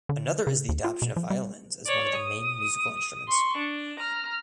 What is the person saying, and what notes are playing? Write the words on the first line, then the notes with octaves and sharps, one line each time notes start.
Another is the adoption of violins as one the main musical instruments.
D3
C#3
D#2
F4
B2
F3
G3
C#5 D5
D#6
C6 C#6
D4
A#5 F6